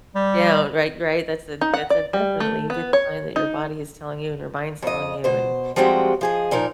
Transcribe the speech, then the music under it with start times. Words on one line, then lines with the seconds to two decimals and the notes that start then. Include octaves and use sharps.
down, right, right, that's a that's a definitely a good sign that your body is telling you and your mind's telling you and
0.15 G3
1.61 D#4
1.74 F#5
1.90 D5
2.13 G3
2.40 A3
2.70 B3
2.93 C#5
3.36 D#4
4.82 F2 D#5
5.24 B2 C5
5.76 F3 G3 G#3 C4 F#4 G4
6.21 F3 G#4 D#5
6.51 A#2 F3 D#4 A#4